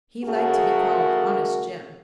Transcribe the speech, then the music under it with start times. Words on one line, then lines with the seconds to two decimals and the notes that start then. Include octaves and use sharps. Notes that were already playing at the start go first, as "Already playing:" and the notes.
He liked to be called Honest Jim.
0.23 C#3 A3 F#4 G#4 A#4